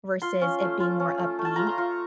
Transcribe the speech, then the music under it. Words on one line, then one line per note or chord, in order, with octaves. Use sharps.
versus it being more upbeat,
F4 C6
C#4
A3
F4
C#4
A3
A3
A5
F4 A#5
C6
F4 C#6